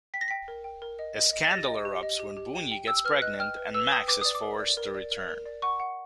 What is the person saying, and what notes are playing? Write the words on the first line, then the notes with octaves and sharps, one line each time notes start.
A scandal erupts when Boonyi gets pregnant and Max is forced to return.
G5 B6
A#6
G5 B6
A#4
G5
A#4
D#5
D#5
D#5
A6
G4 A#6
D#5
G4
D#5
G4
G4
G5
G5
G5 E6
B4 F6
D#5 F#6
G5 F6
B4
B4 E6
G5 D#6
B4 D6
D5 D#6
D6
A#4
D5
A#4
D5
A#4
A#4
D5
F#5 C#6
F#5